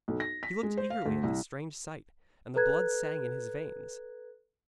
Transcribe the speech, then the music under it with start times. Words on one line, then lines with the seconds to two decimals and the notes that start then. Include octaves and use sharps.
He looked eagerly at this strange sight, and the blood sang in his veins.
0.08 B1
0.20 A#6
0.43 B6
0.63 G#3
0.77 C5
0.90 F5
1.06 D2
1.23 C2
2.56 A4 B4 A#5 F#6 G#6